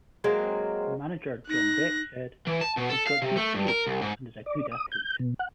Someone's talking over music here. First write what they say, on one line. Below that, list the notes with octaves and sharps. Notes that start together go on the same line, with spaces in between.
Manager, John Beck, said, He's got good pace and is a good athlete.
F#3 G#3 A#3 C4
D#4 F#6 A#6
E3
A5
B2
A4
F5
C3
A3
G2
A#4
C2
G#2
D5
D#6
G6
B2
F#5